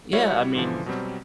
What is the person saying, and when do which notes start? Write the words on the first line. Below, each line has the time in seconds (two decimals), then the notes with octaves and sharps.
Yeah, I mean,
0.13 G3 E4 F#4 C#5 E5
0.55 G#2 D3 E3 F3
0.86 B2 F#3 G3 C4